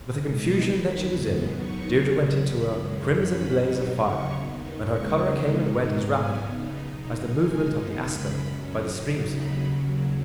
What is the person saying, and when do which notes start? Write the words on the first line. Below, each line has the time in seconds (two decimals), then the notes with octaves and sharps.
With the confusion that she was in, Deirdre went into a crimson blaze of fire, and her colour came and went as rapidly as the movement of the aspen by the stream side.
0.22 B2 G#3 B3 D#4 D#5
0.63 D#2 D#3 F#3 B5
1.05 F#2 C#3 G#3 B3
1.45 D#2 D#3 F#3 B3 D#4 C#6
1.86 C#3 F#3 C#4
2.27 D#2 D#3 F#3 B5
2.68 F#2 C#3 G#3 C#4
3.08 F#2 F#3 C#4 B5
3.50 B2 F#3 B3 D#4
3.91 C#3 F#3 C#4 C#6
4.32 D#2 D#3 B3 D#4
4.73 D#2 C#3 G#3 C#6
5.13 C#3 G#3 B3 D#4
5.54 G#2 D#3 G#3 D#4
5.96 G#2 F#3 B3 G#5
6.37 C#3 B3 D#4
6.78 B2 F#3 D#4
7.18 C#3 G#3 D#4 G#5
7.60 F#2 D#3 B3 D#4
8.00 F#2 C#3 G#3 B5
8.41 F#2 F#3 C#4
8.82 C#3 F#3 D#4
9.23 D#2 C#3 F#3 D#4 B5
9.64 D#2 C#3 F#3